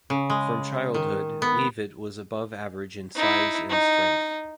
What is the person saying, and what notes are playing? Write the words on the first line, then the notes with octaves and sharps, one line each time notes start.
From childhood, Leavitt was above average in size and strength.
C#3
G#3
D#3
B3
D#4 E4
D#4